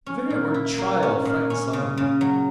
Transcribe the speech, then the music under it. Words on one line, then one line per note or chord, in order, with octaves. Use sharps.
The very word 'trial' frightens some of them.
C#4
A#2
E4
A#3
C#4
A#2
C#4
C#3
C#3
F#3